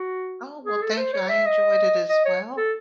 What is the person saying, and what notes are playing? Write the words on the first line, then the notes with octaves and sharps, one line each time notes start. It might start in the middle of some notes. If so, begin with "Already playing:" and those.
Oh, well, thank you. I enjoyed it as well,
Already playing: F#4
G#4
A4
C5
C#5
E5
D#5
D#5
C#5
A4